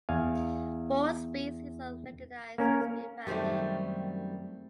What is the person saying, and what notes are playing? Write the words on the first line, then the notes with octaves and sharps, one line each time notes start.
Four species are recognized as being valid.
E2 F5 G#5
A#3 C#4 A#4
F#2 D#3 G3 A3 C4 G4